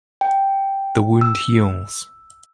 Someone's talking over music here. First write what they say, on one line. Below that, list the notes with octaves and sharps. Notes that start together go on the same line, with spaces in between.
The wound heals.
G5
E6